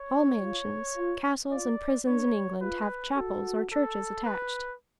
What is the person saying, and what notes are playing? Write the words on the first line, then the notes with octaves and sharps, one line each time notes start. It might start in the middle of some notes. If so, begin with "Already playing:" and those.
All mansions, castles and prisons in England have chapels or churches attached.
Already playing: C#5
F4
F4
F4 D5
D4 C#5
F4 B4
F#4 A4
A4
B4